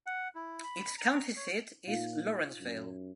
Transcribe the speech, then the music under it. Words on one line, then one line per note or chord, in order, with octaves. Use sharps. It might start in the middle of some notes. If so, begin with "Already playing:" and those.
Its county seat is Lawrenceville.
F#5
E4
B5
A#5
C#5
A#2 D#4 F4 F5
F#2